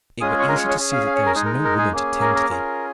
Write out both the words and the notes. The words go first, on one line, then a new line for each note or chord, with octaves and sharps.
It were easy to see that there is no woman to tend to thee.
G#3 C#4 F4 G#4 D#6
C#5
A#4
C#5
C#5
C#4 G#4
F5
F5
C#5
A#4
G#3 D#4 G#4
A#4
A#4
G#4
A#3 C#4 G#4
A#4
A#4
C#4 F4 G#4